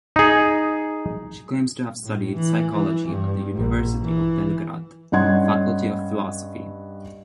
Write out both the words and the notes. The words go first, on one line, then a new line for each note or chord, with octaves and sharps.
She claims to have studied psychology at the University of Belgrade Faculty of Philosophy.
D#4 G#4
A2
E3
E3
G2
A#1
E3
G2 C#4 D#5 F#5 C6 G#6